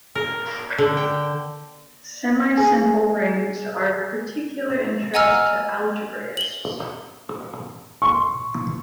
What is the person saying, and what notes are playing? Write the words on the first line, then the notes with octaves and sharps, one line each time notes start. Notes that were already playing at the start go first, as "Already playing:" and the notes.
Semisimple rings are of particular interest to algebraists.
A#4
D3
G5
G#4 G#5
D#5 F#5 G#5 A#5 E6 F6
F#7 G7
C6 C#6